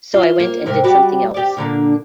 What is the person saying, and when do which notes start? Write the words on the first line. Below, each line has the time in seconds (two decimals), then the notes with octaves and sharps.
So I went and did something else.
0.14 F4 E5
0.40 A#3
0.66 G#2 C3 A#3
0.84 G3 F#4 G4
1.34 G4 D5
1.57 A#2 D3 A#3